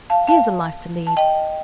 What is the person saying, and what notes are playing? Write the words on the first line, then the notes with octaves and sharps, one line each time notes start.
Here's a life to lead!
F5 A5
F5 A5
A5
D#5 G5